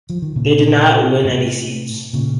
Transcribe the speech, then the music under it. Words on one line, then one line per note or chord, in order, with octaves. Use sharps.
They did not win any seats.
F3
D#3
A#2 C#3
A2 C3
A#2 C#3